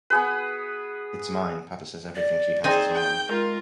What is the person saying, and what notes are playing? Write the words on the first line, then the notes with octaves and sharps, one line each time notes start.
It’s mine: papa says everything she has is mine.
B3 G#4 B4
D5
C4 D#4 G#4 C5 D5 G#5
G5
G#3 F4 A#4